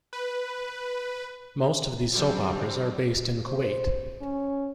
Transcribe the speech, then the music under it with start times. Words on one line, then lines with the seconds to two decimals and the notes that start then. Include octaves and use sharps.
Most of these soap operas are based in Kuwait.
0.13 B4
2.13 D3 F#3 G3 C4 D4
3.47 C5
4.22 C#4